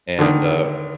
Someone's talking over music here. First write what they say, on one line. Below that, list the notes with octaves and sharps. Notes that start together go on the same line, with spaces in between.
and, uh,
D3 D#3